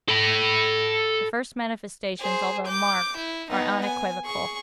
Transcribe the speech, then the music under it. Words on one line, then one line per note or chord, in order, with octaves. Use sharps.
The first manifestations, although marked, are unequivocal.
A4 B5
G#4 C5
D6 G6
E4
B3 D#4
G#5
G#4 C#6